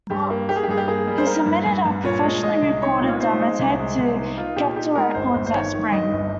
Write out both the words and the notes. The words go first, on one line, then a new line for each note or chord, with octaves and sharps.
He submitted a professionally recorded demo tape to Capitol Records that spring.
G2 G4
A#3
A#3 G4
G#4
G4
G2 G#4
G4
A#3 G#4
G3
C5
A#3 A#4
G2
G2
G2
A#2 C#5
G#3
G#3 D#5
C2
D#4 C#5
A#2
D#4 C5
G#3
C2
G#3
C2
D#4
D#4 F4
A#2 G4
D#4 G4
G#3 A#4
G1 C5
G1
C5
D#3 C#5
D#3
G2 D#5
G1